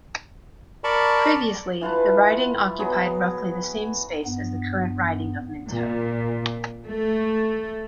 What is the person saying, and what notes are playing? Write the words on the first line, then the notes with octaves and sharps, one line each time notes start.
Previously, the riding occupied roughly the same space as the current riding of Minto.
A#4 D5 A5 B5 C#6
E3 F4 B4 A5
F#3 B3 G#4
G2 B3
A#2
A3